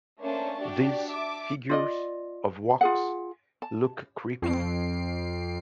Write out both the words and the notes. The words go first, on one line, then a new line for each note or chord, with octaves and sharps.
These figures of wax look creepy.
A3 A#3 C#4 D4 C5 A5
D4 F#4 G4 D5
E5 A5 D6
F4 D5 D#5
F4 G#4 F#5
A5
F2 C7 D7